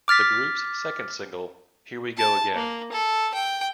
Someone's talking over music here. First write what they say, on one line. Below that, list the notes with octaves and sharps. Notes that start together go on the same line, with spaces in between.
The group's second single, Here We Go Again!
D6 F6 A6 B6
A5
A#3
A4
G5